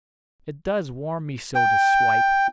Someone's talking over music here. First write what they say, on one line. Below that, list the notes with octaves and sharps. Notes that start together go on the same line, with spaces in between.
"It does warm me so to swipe."
G5